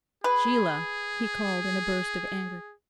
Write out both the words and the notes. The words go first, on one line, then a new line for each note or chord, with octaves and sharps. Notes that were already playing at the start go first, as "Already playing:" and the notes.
'Sheila!' he called in a burst of anger.
G#4 B4